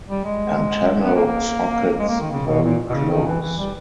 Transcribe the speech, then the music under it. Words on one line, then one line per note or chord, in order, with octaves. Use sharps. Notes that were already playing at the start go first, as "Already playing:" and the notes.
Antennal sockets very close.
G3
G#3
B3
A#3
A#3
G#3
A#3
D#3
C#3
B2
A#2
B2
C#3
D#3
E3
E3
G3